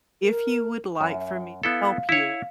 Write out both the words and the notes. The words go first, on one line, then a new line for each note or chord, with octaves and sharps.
If you would like for me to help you,
A#4
F#2 E5
B3 E4 A4 F5
E4 C#5